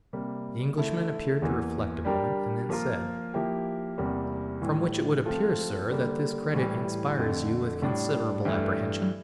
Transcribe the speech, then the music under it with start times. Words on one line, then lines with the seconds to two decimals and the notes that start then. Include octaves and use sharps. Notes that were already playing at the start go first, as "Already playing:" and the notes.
The Englishman appeared to reflect a moment, and then said,--"From which it would appear, sir, that this credit inspires you with considerable apprehension?"
0.13 C3 G3 A#3
0.78 D3 A3 E4 A4
1.42 E2 E3 A#3
2.05 G3 D4 G4 A#4
2.69 F3 A#3 F4 A#4
3.34 F3 A#3 E4 G4
3.98 E2 C3 G3 A#3
4.62 A2 E3 G3
5.26 F3 A3 C4 F4 A4
5.90 D3 G3 A#3
6.54 A2 E3 G3
7.17 F2 D3 A3
7.82 A2 G3 D4
8.45 G2 E3 A3 E4